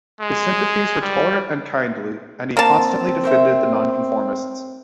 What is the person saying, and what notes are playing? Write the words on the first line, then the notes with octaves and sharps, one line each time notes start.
His sympathies were tolerant and kindly, and he constantly defended the Nonconformists.
G#3
G3
A#3 C4 A#4 A5
A#4 C5 E5